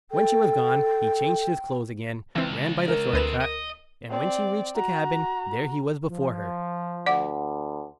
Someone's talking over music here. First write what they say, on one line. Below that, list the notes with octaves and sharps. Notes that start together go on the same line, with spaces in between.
When she was gone, he changed his clothes again, ran by the short cut, and when she reached the cabin, there he was before her.
A4 G5
C#2 E3 C4
A#4
D2 C4 B4 D#5 E7
D#5
C4 D5
F#4 A#5
F3
D2 D5 F#5 D6